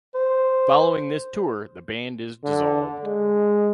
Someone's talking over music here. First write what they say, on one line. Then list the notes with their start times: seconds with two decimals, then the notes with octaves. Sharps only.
Following this tour, the band dissolved.
0.14 C5
2.44 D3
3.04 G#3